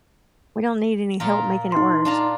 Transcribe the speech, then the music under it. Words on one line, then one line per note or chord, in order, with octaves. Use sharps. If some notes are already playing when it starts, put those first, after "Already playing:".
We don't need any help making it worse.
A#2 F4 A#4
D#4 C6
D4 F4 A#5